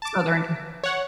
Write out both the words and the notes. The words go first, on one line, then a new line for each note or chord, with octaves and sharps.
Southern C
A5 D6
C#5 F#5